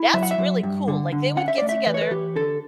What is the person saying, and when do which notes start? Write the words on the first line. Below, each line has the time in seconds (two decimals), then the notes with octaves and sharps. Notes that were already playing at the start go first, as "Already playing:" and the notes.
"That's really cool," like, they would get together,
Already playing: E4
0.14 F#3 E5
0.23 F#5
0.31 E5
0.38 F#3
0.63 G2
0.88 D3
1.13 D3
1.37 C#4 F#5
1.48 E5
1.58 A3 D5
1.69 E5
1.86 E3 B4
1.94 C#5
2.01 B4
2.11 E3 G4
2.36 D3 A4